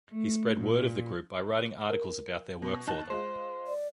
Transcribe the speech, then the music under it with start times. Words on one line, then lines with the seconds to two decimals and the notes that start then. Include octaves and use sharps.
He spread word of the group by writing articles about their work for them.
0.11 A3
0.59 A#2
1.90 A#4
2.62 B2
2.87 D#2 D#4 A5 F#6
3.10 G#3 F4 C5
3.67 D5